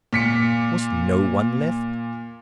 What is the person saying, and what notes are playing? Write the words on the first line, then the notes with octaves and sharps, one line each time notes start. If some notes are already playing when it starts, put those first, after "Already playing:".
Was no one left?
A#2 B6 C#7